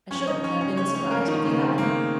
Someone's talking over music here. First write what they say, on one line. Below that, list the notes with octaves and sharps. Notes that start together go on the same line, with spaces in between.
I shouldn't have been surprised if you had.
F3 C#4 C#5
D#4 D#5
F3
C#4 C#5
C#3 C#4 C#5
C#4 C#5
A3
C#4 C#5
F3 A#3 A#4
C#4
D#3 D#4
A#2
C#3 C#4
A3 C4
A#3
A3